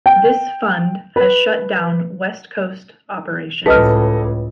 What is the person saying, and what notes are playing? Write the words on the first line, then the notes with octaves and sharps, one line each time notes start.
This fund has shut down West Coast operations.
G5
B4
C#2 A2 A4 B4 D#5 F6